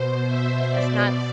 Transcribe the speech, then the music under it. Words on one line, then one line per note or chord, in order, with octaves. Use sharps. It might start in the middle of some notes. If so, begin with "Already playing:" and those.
it's not s
Already playing: B2 C5
E5
B2 D5